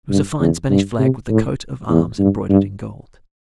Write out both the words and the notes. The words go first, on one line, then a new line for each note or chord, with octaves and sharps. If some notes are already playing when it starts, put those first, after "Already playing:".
It was a fine Spanish flag with the coat of arms embroidered in gold.
G2
E2
G2
C3
A2
E2
G2
G2